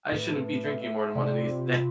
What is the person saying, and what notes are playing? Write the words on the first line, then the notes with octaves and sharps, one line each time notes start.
I shouldn't be drinking more than one of these a day."
A2 B4
A5
B4
E5
E5
A5
C3 D5
F4
F4
F4